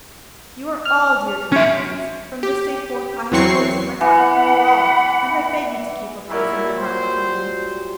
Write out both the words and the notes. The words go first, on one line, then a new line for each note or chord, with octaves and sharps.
You are all dear to me, boys, from this day forth, I have a place in my heart for you all, and I beg you to keep a place in your hearts for me!
F6
C#4 E5
G4
E2 E3 F#3 C4 C#6 C7
E3 F#5 B5
A#2 F#3 G3 E4
C5